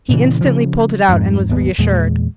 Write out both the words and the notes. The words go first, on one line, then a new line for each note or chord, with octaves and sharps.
He instantly pulled it out and was reassured.
A#2 C#3 E3
C#3 F3
F2 G#2
G#1 D#2 D#3 B3
E2 A#2 G#3